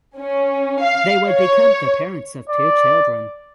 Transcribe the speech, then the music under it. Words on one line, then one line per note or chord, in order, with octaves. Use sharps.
They would become the parents of two children.
C#4
F5
C#5
D5